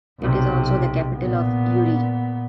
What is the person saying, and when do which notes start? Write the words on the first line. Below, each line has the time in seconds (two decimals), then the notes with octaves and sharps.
It is also the capital of Uri.
0.20 B1 C3
1.18 A#2 B3